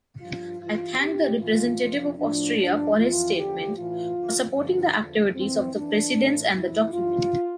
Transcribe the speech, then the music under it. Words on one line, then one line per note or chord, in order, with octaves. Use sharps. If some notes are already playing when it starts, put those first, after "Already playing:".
I thank the representative of Austria for his statement, for supporting the activities of the Presidents and the document.
G2 F3 F4
G2 E3 F4
F2 C3 F3 G4
A2 E3 F4
F2 C3 F3
A2 F3 D4
G2 F3 D4
F2 E3 F4
E2 D3 F3 G4
A2 E3 F4
E2 D3 F3
G2 D3 F3
E2 D3 F3
F2 E3 C4
F2 E3 D4
A2 E3
F2 C3 E3 E4
G2 E3 F4